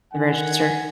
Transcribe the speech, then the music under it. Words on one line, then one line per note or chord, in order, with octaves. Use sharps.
The register?
D#3 F#5 G#5